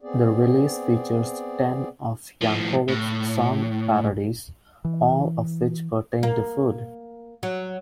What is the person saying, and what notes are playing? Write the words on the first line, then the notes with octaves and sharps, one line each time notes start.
The release features ten of Yankovic's song parodies, all of which pertain to food.
B3 C4 G#4 D5
A2 F3
A2
E3
A#3
F#3